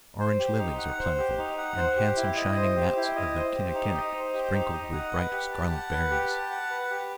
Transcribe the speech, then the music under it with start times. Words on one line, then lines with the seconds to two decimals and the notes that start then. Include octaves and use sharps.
Orange lilies are plentiful, and handsome shining mats of the kinnikinic, sprinkled with bright scarlet berries.
0.20 C5
0.39 G4
0.59 D#4
0.78 F#5
0.99 C5
1.19 G4
1.38 D#4
1.58 F#5
1.77 C5
1.97 G4
2.16 E4
2.37 D#5
2.57 C5
2.76 G4
2.96 E4
3.16 D#5
3.36 C5
3.55 G4
3.74 D#4
3.94 D#5
4.14 C5
4.34 G4
4.54 D#4
4.73 D#5
4.93 F#5
5.13 B4
5.32 G4
5.52 A5
5.72 F#5
5.92 B4
6.11 G4
6.31 A5
6.51 F#5
6.71 B4
6.90 G4